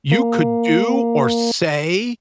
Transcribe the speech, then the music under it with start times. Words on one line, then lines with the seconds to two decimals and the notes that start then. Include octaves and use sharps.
You could do or say
0.11 A#3